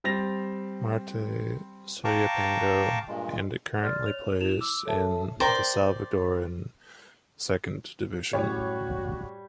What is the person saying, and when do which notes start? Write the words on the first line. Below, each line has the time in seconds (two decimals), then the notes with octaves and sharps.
Marte Soyapango and it currently plays in the Salvadoran Second Division.
0.04 G3 C4 A6 A#6 F7
2.04 F5 G5 A5 A#5 C#6 D6
3.08 G2 A#2 G#3
3.83 D5 C6 F6 A6
4.06 C#5 F7
4.41 E4 E7 F7
4.61 D6 E6
4.85 A4 C#5 E5 A5
5.40 A#4 C5 D5 G5
8.33 F#2 A2 G3 F#4 C#5